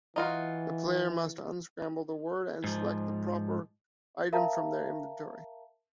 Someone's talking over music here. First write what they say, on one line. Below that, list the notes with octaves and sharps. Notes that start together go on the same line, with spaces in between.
The player must unscramble the word and select the proper item from their inventory.
E3 D#4 F4 F#4
G#2 F3
A#4 E5 F5 A5 A#5